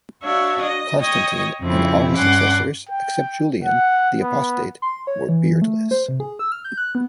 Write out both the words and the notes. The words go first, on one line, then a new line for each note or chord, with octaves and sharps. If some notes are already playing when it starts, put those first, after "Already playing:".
Constantine and all his successors, except Julian the Apostate, were beardless.
D4 F#4 C#5 E5 F5
D#5
C#5 D#5 G5
F2 C#3 C4 E4
G2 C#4 F#5 C6 D6
G5
F#5
B3
C6
C#5
E3
A3
C5
C3
G#4
E6
F6
G6
F#6
B3